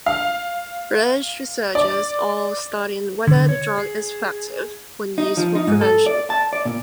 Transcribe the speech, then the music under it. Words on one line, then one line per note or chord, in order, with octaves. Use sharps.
British researchers are studying whether the drug is effective when used for prevention.
F5
D5
D3
C#5
G#4
D#4
F3
D#4
G#2
A4
D5
A5
D5
A#2